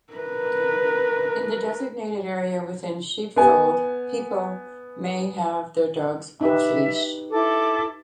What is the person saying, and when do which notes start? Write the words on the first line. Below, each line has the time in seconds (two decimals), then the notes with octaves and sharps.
In the designated area within Sheepfold, people may have their dogs off leash.
0.13 A#4 B4
3.36 B3 G#5
6.41 D#4 G4 B4 E5
7.32 E4 A4 D6